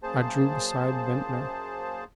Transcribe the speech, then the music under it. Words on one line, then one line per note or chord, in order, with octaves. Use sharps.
I drew beside Ventnor.
F#2 A#3 G#4 C5 A5